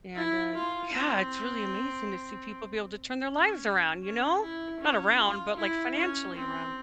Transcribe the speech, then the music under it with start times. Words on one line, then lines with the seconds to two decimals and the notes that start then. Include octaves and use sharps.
and, uh yeah, it's really amazing to see people be able to turn their lives around, you know? Not around, but, like, financially around.
0.16 E4
0.54 F4
0.93 C4
3.25 C#4
4.02 C#4
4.41 E4
4.80 C#4
5.19 F4
5.57 E4
5.96 C#4
6.34 C4